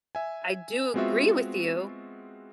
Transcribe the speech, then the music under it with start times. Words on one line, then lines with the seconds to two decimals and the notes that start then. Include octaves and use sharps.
I do agree with you
0.15 E5 G#5
0.94 G#3 B3 C4 F4 F#4 E5